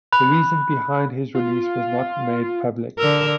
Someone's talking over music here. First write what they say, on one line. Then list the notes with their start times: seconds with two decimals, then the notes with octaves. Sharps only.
The reason behind his release was not made public.
0.12 B5 F#6
1.35 F4
2.99 D3 A#4 E6